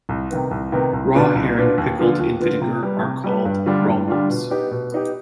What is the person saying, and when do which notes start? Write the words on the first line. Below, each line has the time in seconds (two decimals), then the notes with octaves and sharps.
Raw herring pickled in vinegar are called rollmops.
0.09 C2
0.31 C3 D#3 B3
0.51 C2
0.72 C3 D#3 B3
0.93 C2
1.15 B2 B3 D4 F4
1.35 C2
1.57 B2 B3 D4 F4
1.78 D#2
1.99 D3 F3 B3 F4
2.19 D#2
2.40 D3 F3 B3 F4
2.61 C3
2.83 G3 B3
3.03 C3
3.24 G3 B3
3.45 G2
3.66 D3 G3 D4 F4
3.88 G2
4.08 D3 G3 D4 F4
4.30 B2
4.50 B3 D#4 G4
4.71 B2
4.92 B3 D#4 G4